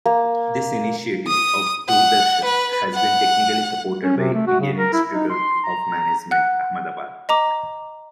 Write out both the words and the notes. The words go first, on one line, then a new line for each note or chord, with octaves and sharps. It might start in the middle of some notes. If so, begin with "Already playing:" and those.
This initiative of Doordarshan has been technically supported by Indian Institute of Management, Ahmedabad.
A#3
D#6
F#5
B4
F#5
C#4
C3
A3
F#4
C#3
A#4
E4
D#4
C6
A#5
F#5 F#6
D#5 A#5 D6